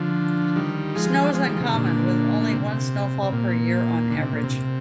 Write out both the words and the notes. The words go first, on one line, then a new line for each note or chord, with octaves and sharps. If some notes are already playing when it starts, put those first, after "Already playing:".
Snow is uncommon, with only one snowfall per year on average.
Already playing: D3 F3
D#3 G3
F3 G#3
F3 G#3
D#3 G3
F3
C3 D#3
A#2 D3
D3
C3
C3
A#2
D3
C3
A#2
C3